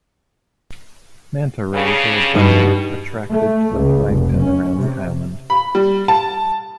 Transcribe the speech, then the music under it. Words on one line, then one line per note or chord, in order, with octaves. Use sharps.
Manta rays are abundant, attracted to the plankton around the island.
G2 C#3
G2 B2 G3 D#4
A3
C#2
F1
C#4
C3
B5
G3
A5